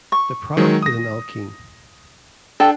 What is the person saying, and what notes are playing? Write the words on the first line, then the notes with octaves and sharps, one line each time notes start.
The product is an alkene.
C#6
D#3 F#3 G#3
D#6 A#6
D4 A4 G5